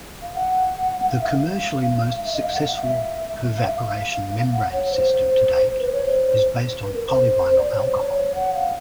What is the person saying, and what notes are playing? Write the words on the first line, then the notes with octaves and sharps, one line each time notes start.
The commercially most successful pervaporation membrane system to date is based on polyvinyl alcohol.
F5
F#5
F5
E5
F5
E5
D#5
F5
F#5
F5
E5
F5
E5
F5
F#5
C#5
C5
C5
B4
C#5
C5
B4
A#4
C5
D5
C#5
C5
C#5
F#5
F5